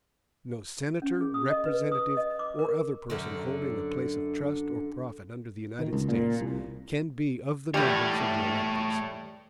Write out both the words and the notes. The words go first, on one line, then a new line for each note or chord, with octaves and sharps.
No senator, representative, or other person holding a place of trust or profit under the United States, can be of the numbers of the electors.
C#4
G#4
D#6
D#5
B4
D#6
D#5
D6
A#4
F#2 D3
D#3
C#2
A#2
C2
E2 G3 A3 C#5